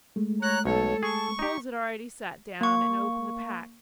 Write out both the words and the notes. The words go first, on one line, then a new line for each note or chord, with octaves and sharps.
The Poles had already sat down, and opened the pack.
G#3 A3
C#5 A#5 F#6
B1 A4 C#5
G#4 C#6
D#4 G4
A#3 C#6